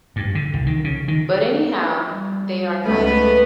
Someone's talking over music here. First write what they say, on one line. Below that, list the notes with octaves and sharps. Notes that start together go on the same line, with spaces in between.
But anyhow, they are coming.
G2
D3
C2
D#3
C#3
D#3
G3
C#2 A3 B3 B4